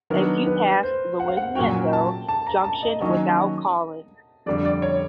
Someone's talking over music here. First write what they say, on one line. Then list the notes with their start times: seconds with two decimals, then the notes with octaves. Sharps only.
A few passed Llandudno Junction without calling.
0.10 D#3 F#3 B3 D4 A#4
0.46 B4
0.83 C5
1.20 F#5
1.28 F5
1.37 F#5
1.55 A#2 F#3 A#3 C#4 F#4 G5
1.93 A5
2.28 A5
2.47 A#5
2.64 A5
2.83 D#5
3.01 D#3 F#3 A#3 C#4 F#4 D#5
4.46 F2 D3 G3 D5
4.65 D5
4.82 C#5